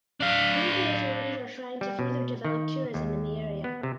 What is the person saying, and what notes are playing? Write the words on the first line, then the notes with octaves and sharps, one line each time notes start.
Local authorities are trying to further develop tourism in the area.
D4 F5
G3
B2
D#3
D#2
B3
C3